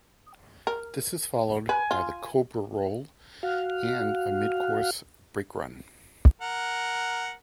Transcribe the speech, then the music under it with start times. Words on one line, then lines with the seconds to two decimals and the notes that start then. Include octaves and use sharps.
This is followed by the cobra roll and a mid-course brake run.
0.67 A#4
1.69 B4 G#5
1.91 F4
3.43 F#4 F5
6.42 A#4 F#5